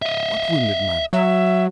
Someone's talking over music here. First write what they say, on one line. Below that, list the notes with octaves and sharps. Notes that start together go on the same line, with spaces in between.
"What wounded man?"
D#5 E5
F#3 E5